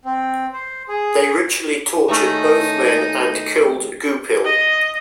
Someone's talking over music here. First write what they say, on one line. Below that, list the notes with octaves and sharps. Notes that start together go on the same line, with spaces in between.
They ritually tortured both men and killed Goupil.
C4
C5
G#4
D#3 A3 C#4 D#4
D#5